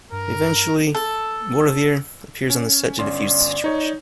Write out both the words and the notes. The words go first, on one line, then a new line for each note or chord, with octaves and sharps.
Eventually, Bouvier appears on the set to defuse the situation.
G2 A#4
A4
C#4
G1 C#4 D5 C6
D#4 C#5